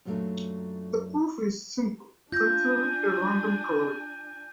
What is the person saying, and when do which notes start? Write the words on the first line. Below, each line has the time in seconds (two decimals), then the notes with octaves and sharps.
The proof is simple: Consider a random coloring.
0.05 F#2 A#2 F#3 G#3 A3 D4
2.32 D4 F4 G#5 G6 A#6